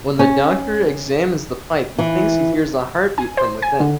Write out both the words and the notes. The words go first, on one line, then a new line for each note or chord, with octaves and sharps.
When the Doctor examines the pipe, he thinks he hears a heartbeat from within.
C#4
E3
G#5
C5
G#5
D3